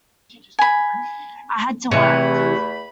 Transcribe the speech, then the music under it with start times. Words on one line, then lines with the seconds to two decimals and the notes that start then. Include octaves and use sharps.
I had to work.
0.59 G#5 B5
1.91 E2 C3 E3 A3 C#5 B5